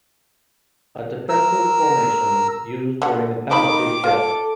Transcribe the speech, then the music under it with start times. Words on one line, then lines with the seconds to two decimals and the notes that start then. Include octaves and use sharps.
A defensive formation used during a penalty kill.
1.29 A#4 E6
3.02 D3 F#5
3.51 D#3 F3 D#4 B5 D6
4.04 F4 A4